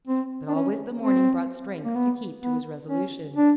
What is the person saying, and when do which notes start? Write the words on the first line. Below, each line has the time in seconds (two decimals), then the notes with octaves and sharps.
But always the morning brought strength to keep to his resolution.
0.08 C4
0.48 D4
0.55 C#4
1.02 C4
1.85 A#3
1.96 B3
2.43 B3
2.89 C#4
3.36 D4